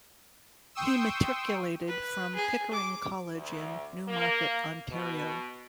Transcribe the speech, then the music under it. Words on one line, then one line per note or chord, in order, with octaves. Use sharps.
He matriculated from Pickering College in Newmarket, Ontario.
G5 C6 C#6 D#6 E6
B4
G#4
D6
D2
A#3
B2